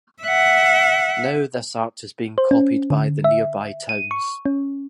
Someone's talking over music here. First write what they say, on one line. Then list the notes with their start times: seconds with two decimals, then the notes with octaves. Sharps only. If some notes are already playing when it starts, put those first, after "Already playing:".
Now this art is being copied by the nearby towns.
0.23 E5 F#5
2.38 C5
2.51 C#4
2.90 D3
3.24 E5
3.89 D#7
4.11 C#6
4.46 C#4